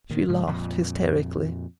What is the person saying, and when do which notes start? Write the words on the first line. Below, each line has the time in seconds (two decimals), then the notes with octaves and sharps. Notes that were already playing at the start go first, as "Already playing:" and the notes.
She laughed hysterically.
0.10 A#2 D#3
0.29 G#2 C#3
0.47 F2 A#2